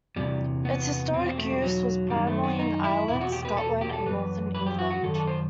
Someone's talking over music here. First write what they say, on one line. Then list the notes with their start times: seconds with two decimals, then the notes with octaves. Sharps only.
Its historic use was primarily in Ireland, Scotland and Northern England.
0.16 E2 C3 E3 G3
0.65 B3
1.13 E2 C4
1.17 B2
1.26 C4
1.38 A3
1.50 G3
1.62 F#3
2.10 F#2 D#3 G3
2.27 A3
2.44 B3
2.59 D#4
2.84 E4
3.08 E2 B2 E4
3.21 F#4
3.32 G4
3.45 B4
3.57 A4
3.81 G4
3.93 A4
4.06 F#2 E3 B4
4.55 B4
4.66 G4
4.79 F#4
4.90 F#4
5.03 F#2 D#3 A4
5.15 A4
5.27 C5